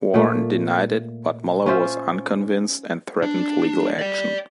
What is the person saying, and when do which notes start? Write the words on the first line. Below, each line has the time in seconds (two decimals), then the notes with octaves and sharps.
Warne denied it but Muller was unconvinced and threatened legal action.
0.14 A#2 A3
1.66 C#4 F4 C5 E5
3.22 D4
3.99 D5 G5